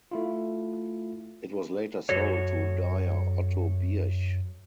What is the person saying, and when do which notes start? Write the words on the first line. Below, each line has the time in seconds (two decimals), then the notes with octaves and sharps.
It was later sold to dyer Otto Birch.
0.11 A3 E4 F4
2.09 F#2 F#4 A4 C#5